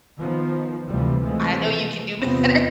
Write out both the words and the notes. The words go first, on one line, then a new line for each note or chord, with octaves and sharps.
I know you can do better."
D#3 F3 B3
F1 D2 C3 E3 F3 G3
C3 E3 F3 G#3 A3
E2 C3 F3 B3 C4